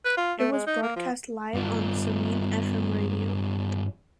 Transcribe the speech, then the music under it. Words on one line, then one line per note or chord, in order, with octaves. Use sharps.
It was broadcast live on Zamin Fm radio.
B4
F4
A3
G#3
D#4
A#3
F3
G2 F4